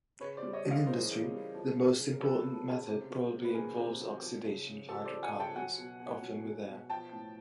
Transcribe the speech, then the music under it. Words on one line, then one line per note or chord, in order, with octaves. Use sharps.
In industry, the most important method probably involves oxidation of hydrocarbons, often with air.
C#3 B4 C#5
C5 D5
G3
C#5 D#5
C#3
D#5 F5
E3 A#4 C5
C#3
G3
F3
C#3
C#3
A#4
F3 A4 B4
F3
C#3
C3
F#3
C3
B4
D#3 G#4 A#4
C3
F#3
F3
C#3
C#3
F3 G4 A4
C5 D5
F3
F#5 G#5
C#3
G5 A5
F#3 F#5 G#5
B2
B2
F#3
F#3
B2
F3 G5 A5
A2